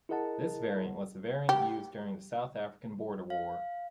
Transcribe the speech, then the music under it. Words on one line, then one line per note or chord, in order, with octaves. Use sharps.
This variant was the variant used during the South African Border War.
E4 G#4 A#4 D#5 F#5 A5
G4
F5